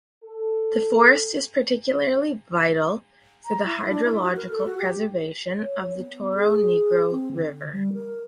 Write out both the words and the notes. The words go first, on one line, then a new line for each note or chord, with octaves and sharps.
The forest is particularly vital for the hydrological preservation of the Toro Negro River.
A4
A#5
E4
D4
E4
F#4
A#4
A4
F#4
G4
C#5
B3
G#4
C4
D3
G3
A#4